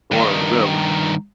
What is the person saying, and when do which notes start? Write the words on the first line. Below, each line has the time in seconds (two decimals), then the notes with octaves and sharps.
or really
0.12 G2 D#3